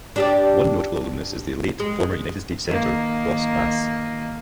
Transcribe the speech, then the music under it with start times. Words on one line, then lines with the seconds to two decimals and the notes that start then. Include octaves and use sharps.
One notable alumnus is the late former United States Senator Ross Bass.
0.16 D4 G4 D5
1.80 G#3
2.65 D#3 A#3